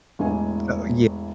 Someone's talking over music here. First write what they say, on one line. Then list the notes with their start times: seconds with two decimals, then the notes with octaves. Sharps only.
Oh, yeah.
0.19 E1 A1 E3 D#5 G#5